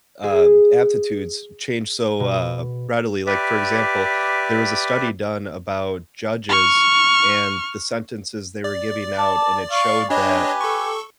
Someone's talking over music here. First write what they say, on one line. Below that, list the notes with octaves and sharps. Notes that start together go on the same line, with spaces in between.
uh, aptitudes changed so, uh, readily, like, for example, there was a study done about judges and the sentences they were giving out, and it showed that
G#4
B2
G4 B4 D5 E5
C#6 F6
D5
A5 D6
F5 C#6
D4 G4 B4 C#5 D#5 G#5
A4 C#6